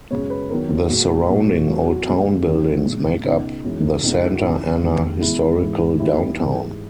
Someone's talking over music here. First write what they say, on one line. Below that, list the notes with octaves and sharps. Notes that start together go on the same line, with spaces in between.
The surrounding old town buildings make up the Santa Ana Historical Downtown.
F#2 C#3 G#3 C#5
B4
E2 D#3 F#3 A#4
A#2 G#3 F#4
A#2 F#3
E2 B2 F#3 F#4
F#4
D#2 C#3 G#3
F#2 D#3 F#3
A#2 G#3
C#2 B2 G#3 D#4
F#2 E3 G#3
C#2 C#3 G#3 D#4
E4
F#4
C#2 C#3 F#3 E4
D#2 D#3 G#3
E2 C#3 E3 G#3 E4
G#2 E3 G#3
D#2 D#3 F#3 E4
G#2 E3 G#3